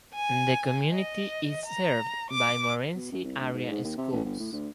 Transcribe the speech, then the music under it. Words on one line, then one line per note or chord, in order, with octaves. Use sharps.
The community is served by Morenci Area Schools.
G#5
D#5
A#5
D6
B2
F#2
C2
D2
G#2
G#2
D#2
C3
A1
G1
A2
D2